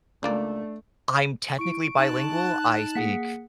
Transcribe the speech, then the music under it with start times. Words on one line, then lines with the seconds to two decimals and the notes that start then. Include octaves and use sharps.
I'm technically bilingual, I speak
0.23 C#2 A3 A#3 D4 D5
1.59 E4 C#6 D7
1.97 D#4 A5 F#6
2.95 A#3 G#4 F#5 B6